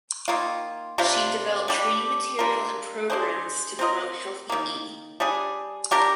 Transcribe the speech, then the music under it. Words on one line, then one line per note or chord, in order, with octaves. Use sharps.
She developed training material and programmes to promote healthy eating.
D#3 A#3 F4
C3 G3 D4 F4
G3 D4 G4
G3 D4 F4 A#4
G#3 D4 G#4 C5
C4 F4 A#4 D#5
D#3 G3 A#3
G3 D4 G#4
G3 D4 G4 A#4